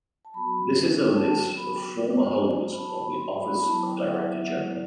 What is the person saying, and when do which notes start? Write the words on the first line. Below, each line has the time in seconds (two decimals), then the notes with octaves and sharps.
This is a list of former holders of the office of director-general.
0.25 A5
0.34 F#3 B3 F#4 B5
1.08 G5
1.15 A5
1.56 B5
1.76 G5
1.97 B4
2.17 C5
2.38 D5
2.58 C5
2.72 B5
2.78 A5
2.99 B5
3.19 C6
3.39 B5
3.54 B5
3.60 F#3 B3 E4 A5
3.87 G5
4.02 F#5
4.14 E5
4.30 E5
4.41 F#5
4.68 D5